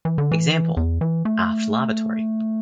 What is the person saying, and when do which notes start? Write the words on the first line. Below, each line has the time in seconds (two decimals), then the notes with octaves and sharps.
Example: Aft lavatory.
0.05 E3
0.18 D3
0.31 E3
0.77 E2
1.01 E3
1.25 A3